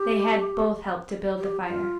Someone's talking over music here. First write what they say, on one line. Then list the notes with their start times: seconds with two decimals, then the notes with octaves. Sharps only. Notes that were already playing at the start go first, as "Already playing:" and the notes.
They had both helped to build the fire.
Already playing: G4
1.39 G4
1.65 F4